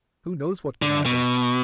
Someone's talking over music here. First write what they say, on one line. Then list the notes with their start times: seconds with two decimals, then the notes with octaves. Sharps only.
Who knows what could happen?
0.82 D3
1.06 B2